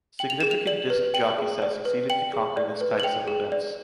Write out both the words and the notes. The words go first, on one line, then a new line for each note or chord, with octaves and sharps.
Significant disc jockeys have succeeded to conquer this types of events.
G5 F#7
F7
G#4 E7
F7
D5 F#7
B4
G5 F#7
G#4
D5
B4
G5 F#7
G#4
D5
B4
F#7
G5 F7
G#4
D5